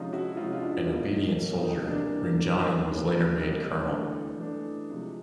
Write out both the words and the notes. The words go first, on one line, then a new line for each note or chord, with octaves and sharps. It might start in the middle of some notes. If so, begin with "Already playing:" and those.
An obedient soldier, Runjanin was later made colonel.
Already playing: C3 F3 G#3 C#4 D#4 F4
E4 F#4
C3 F3 G#3 C#4 D#4 F4
F4
D4 E4
B2 F#3 A#3 D#4
B2 F#3 A#3
D#4
C3 E3 G3 A#3 D4
C3 E3 G3 A#3
C3 E3 G3 A#3
C3 E3 G3 A#3 D#4
E3 A3 D4
E3 A3 D4
C3 F3 G#3